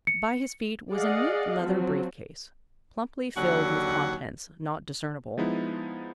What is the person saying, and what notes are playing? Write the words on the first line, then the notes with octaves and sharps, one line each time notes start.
By his feet was a neat leather brief-case, plumply filled with contents not discernible.
C#7
G#4 D5 D#5 F5 F#5
F3 F#3 C4
D#2 D3 F#3 F#4 F#5
F3 G#3 B3 D#4 E4